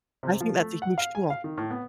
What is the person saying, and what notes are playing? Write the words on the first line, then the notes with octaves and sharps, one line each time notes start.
I think that's a huge tool.
C3
F3
A3
F#5
F5
G#5
F5
D#3
A2
B3